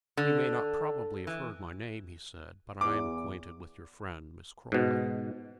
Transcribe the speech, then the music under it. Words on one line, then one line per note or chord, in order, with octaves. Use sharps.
"You may not probably have heard my name," he said, "but I am acquainted with your friend, Miss Crawley."
D3
E3
E2 D6
G#2 B2